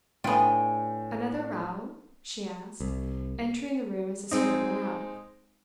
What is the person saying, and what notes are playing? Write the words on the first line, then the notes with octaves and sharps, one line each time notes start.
Another row?' she asked, entering the room as the servant went out.
A2 B3 D4 F4 G5 G#5
C2
G#3 C4 D#4